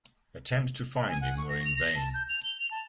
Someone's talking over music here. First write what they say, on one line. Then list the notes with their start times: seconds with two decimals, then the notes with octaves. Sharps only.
Attempts to find him were in vain.
1.08 G#5
1.22 F#5
1.38 C#6
1.49 A#6
1.65 F7
1.77 A#6
1.95 A5
2.14 G6
2.29 F7
2.44 G7
2.59 F7
2.71 A5